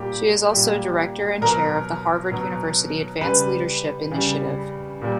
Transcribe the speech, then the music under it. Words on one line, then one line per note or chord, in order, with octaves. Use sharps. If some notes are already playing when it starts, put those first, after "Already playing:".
She is also director and chair of the Harvard University Advanced Leadership Initiative.
Already playing: A#2 G3 G4
A#2 G3
B2 F#3 A#4
B2 F#3
C#3 G3 B4
C#3 G3
A#2 G3